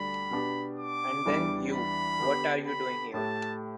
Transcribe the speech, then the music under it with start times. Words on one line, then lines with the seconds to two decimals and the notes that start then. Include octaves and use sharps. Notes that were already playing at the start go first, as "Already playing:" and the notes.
And then, you, what are you doing here?
Already playing: D2 D3 G3 D4 B5
0.31 B2 B3 D4 G4
0.79 D6
1.26 E2 E3 G3 D4
1.73 B5
2.19 D3 B3 G4
2.66 B5
3.14 A2 A3 G4 A5